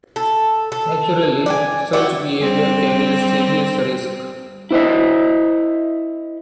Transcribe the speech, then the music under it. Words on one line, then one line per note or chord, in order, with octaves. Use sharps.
Naturally, such behavior carries serious risk.
A4
A4
D5 F#5 G#5
E4 F#4 G4 D5
G3 C4
E4 C5 D#5 E5